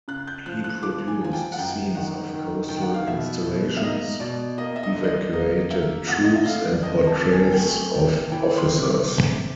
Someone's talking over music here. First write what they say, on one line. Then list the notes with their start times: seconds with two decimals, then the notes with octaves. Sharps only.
He produced scenes of coastal installations, evacuated troops and portraits of officers.
0.08 C#3 F#6
0.27 G6
0.46 F3 F#6
0.64 F#6
0.83 F3 D6
1.08 G#5
1.21 F3 G#5
1.33 G5
1.52 F#5
1.58 F#2 G5
1.95 D#3 F#5
2.33 D#3
2.68 D#3 G5
2.81 F#5
2.94 F5
3.07 B2 E5
3.46 B2
3.77 E5
3.82 A#3 D#5
4.20 B2 D5
4.58 A#3 D#5
4.76 E5
4.83 D#5
4.96 D3
5.04 D5
5.07 D#5
5.33 A#3 D#5
5.70 A#3 E5
6.07 F2 F#5
6.24 D#5
6.35 E5
6.45 D3 F5
6.73 D5
6.83 F2 D#5
7.07 A5
7.20 F2
7.32 G#5
7.52 G5
7.57 A3 G#5
7.95 C3 G5
8.32 E3 G5
8.57 C6
8.70 C3
8.82 D6
9.07 C3